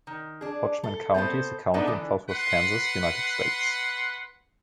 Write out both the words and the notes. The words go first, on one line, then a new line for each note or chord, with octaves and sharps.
Hodgman County is a county in Southwest Kansas, United States.
D#3
D4 G#4
A4
B3 C4 A4 C5
B3 D4 D#4 A4 B4 E5
D3 E3 D4
B4 F#5 C6